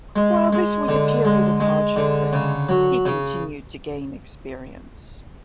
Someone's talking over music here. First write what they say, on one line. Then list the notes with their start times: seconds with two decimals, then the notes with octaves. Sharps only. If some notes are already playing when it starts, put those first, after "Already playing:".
While this was a period of hardship for him, he continued to gain experience.
0.16 G#3
0.53 G#3
0.88 D3
1.25 G#3
1.60 G#3
1.96 D3
2.33 C#3
2.69 F#3
3.06 C#3